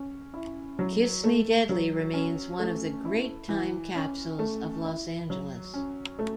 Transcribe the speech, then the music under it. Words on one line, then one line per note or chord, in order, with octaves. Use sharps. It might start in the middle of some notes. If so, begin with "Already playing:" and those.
"Kiss Me Deadly" remains one of the great time capsules of Los Angeles.
Already playing: C#4
E4
F#3
A3
F#3
C#4
A3
E4
E3
C#4
A3
E4
F#3
C#4
A3